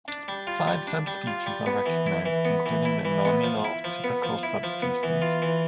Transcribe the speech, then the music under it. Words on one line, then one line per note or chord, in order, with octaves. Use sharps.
Five subspecies are recognized, including the nominotypical subspecies.
D4
G3
F4
G3
D4
G3
F4
G3
B3
E3
E4
E3
B3
E3
E4
E3
B3
F3
E4
F3
B3
F3
E4
F3
B3
E3
F4
E3